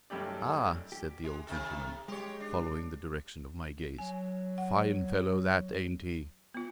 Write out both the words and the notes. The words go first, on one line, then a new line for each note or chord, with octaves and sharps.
"Ah!" said the old gentleman, following the direction of my gaze, "fine fellow that, ain't he?"
G#1 F#2 G3 A3 G4 D5
G4
G#3
C3 D#3 A4
G#3 G4 C#5
D4
F#3 G#5
F#5
B3 F4